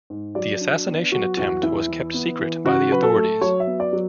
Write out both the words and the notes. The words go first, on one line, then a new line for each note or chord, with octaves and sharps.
The assassination attempt was kept secret by the authorities.
G#2
F#3 D5
D4
B3
F#3 F#4
E2 F#4
E2 E4
E3
B3
E3
C#3 F#4
F#3 B4
A4
A3
F#3 C#5
E5
B3
D5
F#3